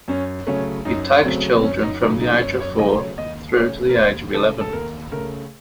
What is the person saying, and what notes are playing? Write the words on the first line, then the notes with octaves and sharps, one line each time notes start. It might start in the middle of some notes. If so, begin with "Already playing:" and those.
It takes children from the age of four through to the age of eleven.
F#2 C#4
C#3 F#3 A3 C#4
F#2 D#4
C#3 F#3 A3 C4
C4
F#2 C#4
D#4
C#3 F#3 A3 D#4
D#4
F#2 C#5
C#5
C#3 F#3 A3 D#5
C#5
D#2 D#5
C#3 A3 C#5
A#4
D#2 C5
C#3 A3 A4
A4
D#2 A#4
C#3 A3 A#4